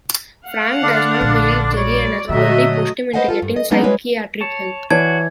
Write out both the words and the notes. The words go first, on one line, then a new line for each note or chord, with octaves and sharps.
Frank does not believe Jerry and has already pushed him into getting psychiatric help.
F5 F#5
D3 D4
A#1
G3 F#4 C#5 D5
A#2 D3 F#3 A3 D#5 E5
B4 C5 D#5 F5 F#5 G#5
F4 A4
G2
D#5
F#3 G#3 A#3 B3 C#4 D#4
G3 G#3 F#4 B4 C#5
C#5 A5
E3 F#4 C#5 D5 A5 G#6